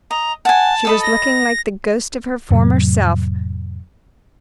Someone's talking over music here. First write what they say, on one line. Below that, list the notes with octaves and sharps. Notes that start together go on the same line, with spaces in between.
She was looking like the ghost of her former self.
D#5 A#5
F#5 G#5 A5
A4 D#5 B5
A#6
F2 A2 C3 F#3